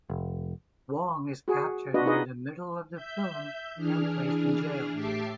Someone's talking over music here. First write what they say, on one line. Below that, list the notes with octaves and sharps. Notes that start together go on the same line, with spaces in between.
Wong is captured near the middle of the film and placed in jail.
F1
F#4 G#4
D4 F4 F#4 B4 D#5
D#4 F4 G#4 B4 D#5
E5 G6
E3 D4 G#4 F6
A2 G4 E5 A5 D6 C7